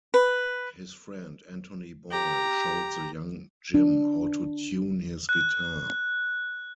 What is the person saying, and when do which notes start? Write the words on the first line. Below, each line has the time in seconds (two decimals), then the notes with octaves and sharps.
His friend Anthony Boyle showed the young Jim how to tune his guitar.
0.14 B4
2.10 G4 A#5
3.74 D4
5.29 F#6